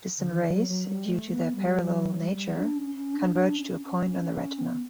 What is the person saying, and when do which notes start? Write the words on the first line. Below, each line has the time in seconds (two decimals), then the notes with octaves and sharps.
Distant rays, due to their parallel nature, converge to a point on the retina.
0.19 D3
0.30 E3
0.49 F#3
0.68 F#3
0.87 G3
1.06 A3
1.31 B3
1.56 G3
1.81 F#3
2.19 G3
2.57 D4
2.75 C#4
2.95 C#4
3.13 D4
3.32 D4
3.57 C#4
3.83 C#4
4.08 C#4
4.33 C#4
4.58 B3